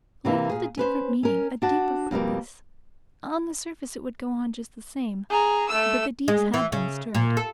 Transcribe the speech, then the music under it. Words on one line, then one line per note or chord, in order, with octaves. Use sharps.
Life held a different meaning, a deeper purpose. On the surface it would go on just the same; but the deeps had been stirred.
C3 E3 A#3
A#2 G#4
C#4 B4 C5
C#4 A#4
D4 F#4 A5
F2 B2 G3 A#3
G#4 A#5
A3 E6
G#3
E3
C#3
A#2
A4